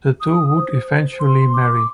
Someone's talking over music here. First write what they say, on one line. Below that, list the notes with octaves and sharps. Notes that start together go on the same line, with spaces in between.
The two would eventually marry.
D#6
C5
C6
D6